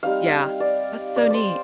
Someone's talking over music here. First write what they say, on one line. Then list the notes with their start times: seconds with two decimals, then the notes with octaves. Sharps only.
Yeah. That's so neat.
0.03 G3 C4 D#4 F5
0.60 D5
1.16 D5
1.30 C5 D5